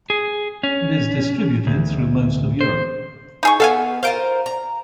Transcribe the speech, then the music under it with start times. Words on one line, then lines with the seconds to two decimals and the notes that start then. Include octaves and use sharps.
It is distributed through most of Europe.
0.10 G#4
0.63 C#4
1.67 D2
2.61 C5
3.43 D#4 G#4 C#6
3.60 B3 A4 F5 G#5
4.03 F4 A#4 C5 F5 G6 D7
4.46 A#5